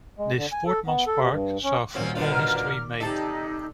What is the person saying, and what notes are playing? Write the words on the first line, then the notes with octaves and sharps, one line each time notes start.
This Sportsman's Park saw football history made.
G#3
D3
G#5
A4
B3
A4
C3
G2
C#4
D#1 A#2 F3 C4 C#4 F#4
B2 D3 F4
A#5 F6
D5
C3 D#4 G4 A4 D#5 A5